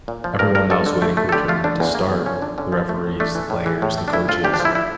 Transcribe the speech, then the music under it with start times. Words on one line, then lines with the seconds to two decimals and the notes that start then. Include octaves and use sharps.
everyone that was waiting for the tournament to start, the referees, the players, the coaches.
0.08 A#2
0.24 F3
0.39 G2 A#4
0.55 G2 A#4
0.70 G2 A4
0.86 D3
1.02 A3
1.17 A3
1.29 A4
1.32 D3 G4
1.48 A3 F4
1.64 D3 D4
1.80 E2
1.95 A#3
2.10 E2
2.26 F3 C#4
2.42 D3 D4
2.58 D3 C#4
2.72 F3
2.89 A3
3.04 A2
3.20 A3 D4
3.35 E3
3.50 A2
3.66 E3
3.82 A2
3.98 A3
4.08 D4
4.13 D2 E4
4.28 D2 F4
4.44 D2 G4
4.54 D4
4.60 F3
4.65 E4
4.75 E4